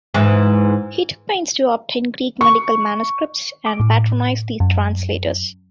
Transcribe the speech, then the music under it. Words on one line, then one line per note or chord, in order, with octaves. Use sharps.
He took pains to obtain Greek medical manuscripts and patronized the translators.
G#2 E3
C#6
D6
A2
F#2